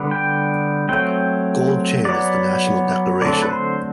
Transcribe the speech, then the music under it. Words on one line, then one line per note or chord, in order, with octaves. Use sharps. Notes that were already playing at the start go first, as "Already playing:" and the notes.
Gold chain is the national decoration.
Already playing: D3 G3 B3
G5
F#3 A3 C4 G5
F#3 B3 D5
D3 F#3 A3 C4 D5
A4
B4
C5